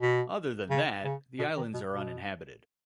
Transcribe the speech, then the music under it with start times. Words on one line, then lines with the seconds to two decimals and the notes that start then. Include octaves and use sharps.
Other than that, the islands are uninhabited.
0.01 B2
0.70 C#3
1.05 C#3
1.39 B2
1.57 D#3
1.74 B2
1.92 B2